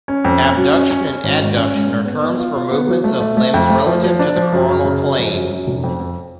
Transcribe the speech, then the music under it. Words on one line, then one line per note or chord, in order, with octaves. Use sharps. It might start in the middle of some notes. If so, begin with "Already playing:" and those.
Abduction and adduction are terms for movements of limbs relative to the coronal plane.
C#4
F2
C#4
F#3
C#4
C#4
C#4
G#1
G#2
C#4
G#2
G#2
B3
B3
F4
F4
B3
F#3
A3
A3
A3
F2
A3
F3
F3
D4
F3
F#2
F#2
C#3
F#2
F3
F#2
F#2
F1
F2
F2